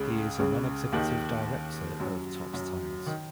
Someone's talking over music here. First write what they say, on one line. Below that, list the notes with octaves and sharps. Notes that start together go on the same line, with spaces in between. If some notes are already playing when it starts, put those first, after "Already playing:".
He is a non-executive Director of Topps Tiles.
Already playing: C#2 C#3
C#2 C#3
D#2 D#3
F#2 F#3
F#2 F#3
D#3